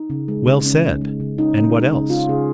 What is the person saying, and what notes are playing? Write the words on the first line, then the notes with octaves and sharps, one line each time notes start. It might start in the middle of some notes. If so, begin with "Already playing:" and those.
'Well said; and what else?
Already playing: D#4
C#3
G#3
C#3
C#4
C#3
G#3
C#3
C#4 D#4
C#3
G#3
C#3
C#4 F4
C#3 G#4